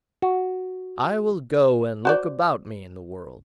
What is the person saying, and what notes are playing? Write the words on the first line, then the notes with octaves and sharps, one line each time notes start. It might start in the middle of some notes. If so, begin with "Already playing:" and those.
I will go and look about me in the world.'
F#4
F#4 C5 D5